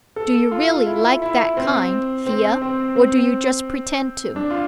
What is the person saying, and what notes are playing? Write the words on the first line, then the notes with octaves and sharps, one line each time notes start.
Do you really like that kind, Thea, or do you just pretend to?
A4
F4
E4
E4
C4
C4
C4
C4
D4
F4